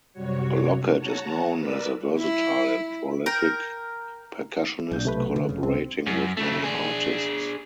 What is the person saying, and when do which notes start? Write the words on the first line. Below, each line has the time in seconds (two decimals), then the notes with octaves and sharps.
Lockett is known as a versatile and prolific percussionist, collaborating with many artists.
0.13 F#2 C3 G3 F#4 C#5
0.96 C#5 F#5 A5 A#5
1.58 A#4 B4 D5 E6
2.18 E4
3.26 A#4 G5
4.91 B1 A#2 D4 G6
5.05 C3 A3 B4
5.36 D3
5.49 F1 C#3
5.63 C2 C4
6.06 F#2
6.37 C#3 A3
6.64 D4 G#4